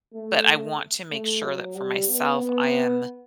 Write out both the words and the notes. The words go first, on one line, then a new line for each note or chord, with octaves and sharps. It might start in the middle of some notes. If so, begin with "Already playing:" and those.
but I want to make sure that for myself, I am
A3
A3
F#3
G3
B3
B3